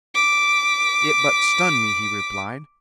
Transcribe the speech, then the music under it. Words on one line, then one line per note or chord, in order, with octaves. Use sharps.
"It but stunned me," he replied.
D6 B6